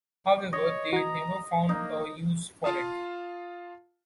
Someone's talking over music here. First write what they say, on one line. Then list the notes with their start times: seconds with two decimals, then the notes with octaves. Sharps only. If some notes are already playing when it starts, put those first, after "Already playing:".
However, they never found a use for it.
0.53 C#5 D#5
0.93 F#4 A#5 G#6
1.69 A#3 D#4
2.64 F4 F5 A5 D#6